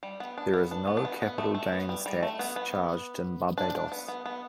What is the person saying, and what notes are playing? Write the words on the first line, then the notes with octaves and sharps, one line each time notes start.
There is no capital gains tax charged in Barbados.
G3
B3
D4
B3
D4
B3
D4
B3
B3
A3
A3
B3
G3
G3
A3
B3
B3
D4
D4
B3
B3
B3